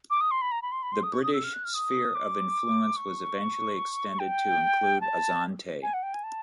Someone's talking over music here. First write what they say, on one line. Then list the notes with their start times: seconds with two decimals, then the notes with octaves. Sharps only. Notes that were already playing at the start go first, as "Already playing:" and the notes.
The British sphere of influence was eventually extended to include Asante.
0.10 D6
0.21 D#6
0.31 C6
0.42 B5
0.52 A#5
0.62 B5
0.72 C6
0.83 B5
0.92 C6
1.03 D#6
1.13 C#6
1.23 D#6
1.33 E6
1.44 F6
1.54 F#6
1.64 F6
1.74 D#6
2.15 D6
2.97 C#6
4.19 G5
5.01 A5
5.83 G#5
5.94 F#5
6.03 G5
6.14 G#5
6.24 A5